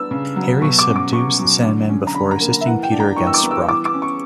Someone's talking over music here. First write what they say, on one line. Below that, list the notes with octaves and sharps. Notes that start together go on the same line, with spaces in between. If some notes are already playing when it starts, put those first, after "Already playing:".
Harry subdues the Sandman before assisting Peter against Brock.
Already playing: B3 D4 E6
C#3
F#3
B2 C#6
D6
C#4
D6
B2 C#6
F#3
D3
C#4
A#5
D3 B5
A#5
A#3
E5
E3 F#5
G5
D4
A#5
E3 C#6
E6
D6
B3
E6
E3 D6
D6
C#4
C#6